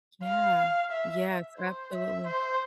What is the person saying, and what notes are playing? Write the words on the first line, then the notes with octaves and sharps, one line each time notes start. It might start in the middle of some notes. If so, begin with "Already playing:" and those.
qYeah. Yes, absolutely.
F5
E5
C5
E5
C5